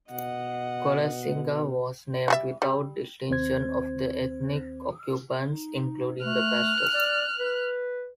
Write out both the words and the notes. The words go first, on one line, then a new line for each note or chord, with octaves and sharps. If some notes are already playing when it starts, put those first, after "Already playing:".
Quillasinga was named without distinction of the ethnic occupants including the Pastos.
B2 D#5 F#5
G3 G#4 E5
G3
D#2 C4 C5 G#6
D#4
A3 F6 F#6
D5
B4